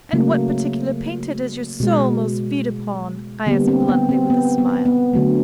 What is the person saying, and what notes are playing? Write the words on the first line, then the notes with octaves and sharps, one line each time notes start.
'And what particular painter does your soul most feed upon?' I asked bluntly, with a smile.
C#3 F#3 A3 A#3
B2 G#3
D3 G3 A#3 B3
C4
B3
C4
B3
B3
B3
D3 F#3 A3